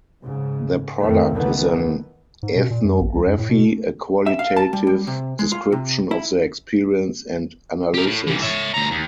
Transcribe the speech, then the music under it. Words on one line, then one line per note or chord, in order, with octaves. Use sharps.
Their product is an ethnography, a qualitative description of their experience and analyses.
G#2 C#3
F2 A2 D#3 A3
C#2 D#3 E3 A3 B3
G#2
B2
A#2
F#2
A1
C#2
F#2
A2
B2
E5
F5
A5
G3
G3
C3
G#3
F4
C3
E4
G4 A#4
A2
G2 E3
C#5 E5
D2 A#5
D#2